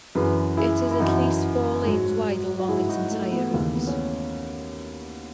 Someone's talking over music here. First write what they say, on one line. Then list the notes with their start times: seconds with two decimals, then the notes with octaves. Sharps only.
It is at least four lanes wide along its entire route.
0.15 F#2 E3 G#4 B4
0.57 E4 G#4
0.91 E4
0.99 F#2 E3 D#4 F#4
1.84 G#2 F#3
2.59 F#4
2.68 G#2 F#3 E4 G#4
2.89 D#4 F#4
3.11 A3
3.31 B3
3.53 D#2 C#3 E3 A3
3.74 B3
3.87 C#4